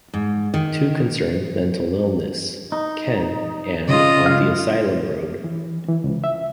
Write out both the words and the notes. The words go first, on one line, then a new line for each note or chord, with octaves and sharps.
Two concern mental illness - "Ken" and "On the Asylum Road".
G#2
D#3
D#4
C#3 F4 D#5
C#2 F5
E3
E3
C#2
E5